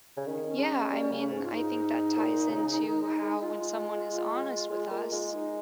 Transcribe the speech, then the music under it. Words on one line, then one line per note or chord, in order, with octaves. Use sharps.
Yeah, I mean I think that ties into how when someone is honest with us,
C#3
D#3 C#4
C#4
G#3
G3
C#3
G#2
F4
D#4
A#2
C#3
D#3
G#3
G#3
F4
G#3
A#3
G#3
D#4